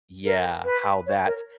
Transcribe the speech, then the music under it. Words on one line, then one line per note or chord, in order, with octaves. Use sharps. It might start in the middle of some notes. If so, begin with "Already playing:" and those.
yeah, how that
A#4
B4
C#5
A#4